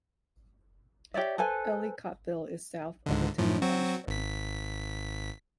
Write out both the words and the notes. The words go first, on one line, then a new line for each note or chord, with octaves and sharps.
Ellicottville is south of the town of Ashford.
G4 C#5 D5 E5
A4 B4 C5 G#5
C#2 G#2 D3
F#2 A2 F3
F#3 C4 F#4
G#1 B6